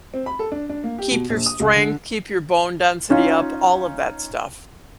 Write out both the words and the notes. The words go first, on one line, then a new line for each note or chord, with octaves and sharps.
keep your strength, keep your bone density up, all of that stuff.
C4
B5
A4
D4
D4
A#3
G4
B2
A#1
D#6
C#2
D3
C#4 D#4 F4